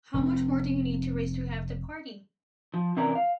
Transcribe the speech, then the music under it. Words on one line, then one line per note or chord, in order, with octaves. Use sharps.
How much more do you need to raise to have the party?
F1 C4
F3
C3 E3 C#4 A#4 D5
F5